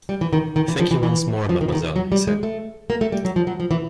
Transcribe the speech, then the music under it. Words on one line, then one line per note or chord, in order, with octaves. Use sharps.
"Thank you once more, mademoiselle," he said.
G3
E3
D#3
D#3
E3
F3
E3
E3
F3
D#3
E3
D#3
F#3
G3
G#3
A3
A#3
A3
G3
F#3
F3
F#3
F3
E3